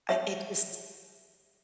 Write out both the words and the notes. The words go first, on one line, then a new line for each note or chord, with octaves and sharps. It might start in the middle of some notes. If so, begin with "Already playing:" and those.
I it just
C#5 E5